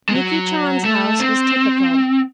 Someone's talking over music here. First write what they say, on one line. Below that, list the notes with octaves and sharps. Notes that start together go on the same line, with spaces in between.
Yuki Chan's house was typical.
G#3
F#3
A3
C4